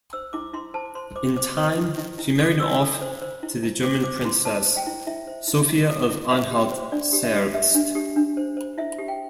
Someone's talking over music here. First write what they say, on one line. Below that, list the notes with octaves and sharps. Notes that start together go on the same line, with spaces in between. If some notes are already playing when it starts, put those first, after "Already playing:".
In time, she married him off to the German princess, Sophia of Anhalt-Zerbst.
C5 E6
E4 D6
E4 C6
C5 A5
C5 C6
C5 D6
C5 D6
C5
E4
E4
E4
A4
C5 E6
A4
C5
C5
E4
E4
C5 D6
C5 D6
E4 C6
C5 A5
C5
G5
E4
E4 E5
C5
E4
E4
A4
E4
C5 E5
G4
G5
C5
D4 D5
G4
E5
G4
G4 E5
D4
G4
D4
C5
C5
E4 E5
G4
G5